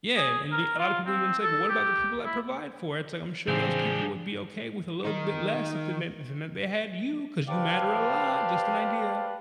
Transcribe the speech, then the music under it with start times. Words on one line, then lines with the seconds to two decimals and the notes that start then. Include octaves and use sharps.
Yeah, and the a lot of people even say, "But, what about the people that provide for it?" It's like, "I'm sure those people would be okay with a little bit less if they meant if it meant they had you 'cause you matter a lot. Just an idea."
0.16 G#4
0.52 A#4
0.79 F4
1.06 C4
1.43 A4
1.69 G4
2.25 E4
3.48 A2 C#3 E3 F3 C4 D4 G4 G#4
5.05 D#3 D#4
7.49 G4 B4 C5 D5 F5 A5